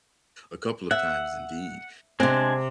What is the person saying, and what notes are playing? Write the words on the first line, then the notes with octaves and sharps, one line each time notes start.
a couple of times indeed,
E5 F#5
C3 G#3 C4 D4